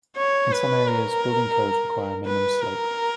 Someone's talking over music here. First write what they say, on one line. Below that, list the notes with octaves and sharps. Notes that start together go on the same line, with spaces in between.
In some areas building codes require a minimum slope.
C#5
B4
A#4
B4
A#4